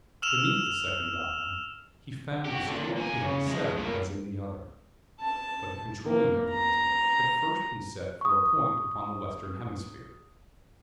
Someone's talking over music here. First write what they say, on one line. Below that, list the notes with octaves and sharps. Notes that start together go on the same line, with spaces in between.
Beneath the second dial he found the steel pin severed as in the other, but the controlling mechanism had first been set for a point upon the western hemisphere.
E6 F6 E7 F7
F#4 G4
A#2 D3
A#3 G#5
C#3
F3 G#3
A2 A#3
A5
A#3
A#5
C#6 D#6